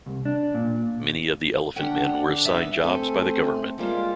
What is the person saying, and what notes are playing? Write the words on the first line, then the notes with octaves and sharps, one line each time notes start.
Many of the Elephantmen were assigned jobs by the government.
C2
D4
A#2
D3 C#4 D4 F#5 G5
G3 B3 E5
A3 C4 A4 G#5
G3 G#3 A#3 F4 G4